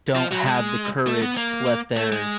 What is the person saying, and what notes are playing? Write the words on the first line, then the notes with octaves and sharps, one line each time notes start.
don't have the courage to let their
F3
F#3
G#3
A3
B3
A#3
A3
G#3